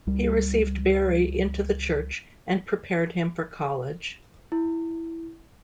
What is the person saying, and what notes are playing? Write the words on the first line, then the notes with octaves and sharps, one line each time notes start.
He received Berry into the church, and prepared him for college.
C#2 G3
E4